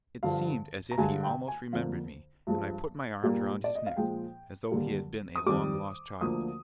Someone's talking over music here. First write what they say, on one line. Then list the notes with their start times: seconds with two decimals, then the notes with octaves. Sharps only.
It seemed as if he almost remembered me, and I put my arms around his neck, as though he had been a long-lost child.
0.23 G2 D3 F3 F5
0.91 A#5
0.98 G2 D3 G#3 G#5
1.23 G5
1.48 G#5
1.72 F2 D3 F3 A#3 F5
2.47 G2 F3 G#3
3.22 A#2 G3 A#3
3.64 D5
3.75 D#5
3.86 F5
3.96 A#2 F3 G#3 G5
4.71 D#2 D3 G3 A#3
5.36 D#6
5.46 F2 D#3 G3 D6
6.21 D2 D3 F3 A#3 D#6